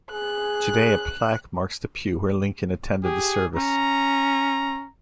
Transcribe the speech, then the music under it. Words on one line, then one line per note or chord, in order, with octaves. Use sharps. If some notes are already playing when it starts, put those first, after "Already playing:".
Today a plaque marks the pew where Lincoln attended the service.
G#4 F#6
G4 G#4
C#4 A#5